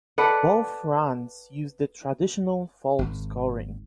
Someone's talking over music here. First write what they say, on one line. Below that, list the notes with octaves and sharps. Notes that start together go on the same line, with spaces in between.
Both runs used the traditional fault scoring.
A4 B4 D5 F#5
G#1